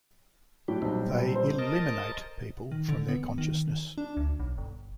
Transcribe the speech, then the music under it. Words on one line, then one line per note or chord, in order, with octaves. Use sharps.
They "eliminate" people from their consciousness.
A2 F#3 G4
B1 A#2 G3 C4
C5
A#4 D#5 A5
D#3
D3
B3
D#3
D4
D2
B1
G1